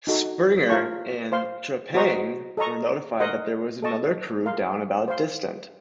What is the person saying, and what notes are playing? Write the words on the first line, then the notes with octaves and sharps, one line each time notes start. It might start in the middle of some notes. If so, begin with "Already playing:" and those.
"Springer" and "Trepang" were notified that there was another crew down about distant.
D#4 F#4 A4
F4 A#4 F5 A5 C#6
C5 F5 C6
F#4 C5 D#5 A#5 C#6
A4 D#5 A#5 C#6
A#4 D#5 F#5 C6
A4 D#5 A5 C#6
A#4 F5 C6
C5 F5 C6